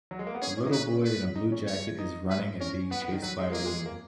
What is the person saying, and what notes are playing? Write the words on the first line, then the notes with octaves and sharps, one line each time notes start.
A little boy in a blue jacket is running and being chased by a woman.
F#3
G#3
A#3
B3
C#4 G#4
C#4
D#4
C#4 B4
B4
D#4
C#4
C#5
D#4
B4
C#4 A#4
B3 B4
B3
D#3
F#3 B4
G#3
A#3 G#4
G#3
A#3